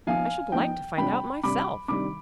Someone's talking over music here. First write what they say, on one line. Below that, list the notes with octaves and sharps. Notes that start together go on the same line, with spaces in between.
"I should like to find out myself."
F3 B3 D#4 F5 G#5
F3 B3 D#4 G5
C3 G3 D4 G5 B5
C3 G3 D4 B5 D6
C3 D#3 G3 D4 B5 D6